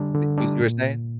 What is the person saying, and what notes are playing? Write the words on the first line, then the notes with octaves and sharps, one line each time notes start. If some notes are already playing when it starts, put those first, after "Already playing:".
The You were saying?
Already playing: D3 G3 D4
D3
G3 D4
A#2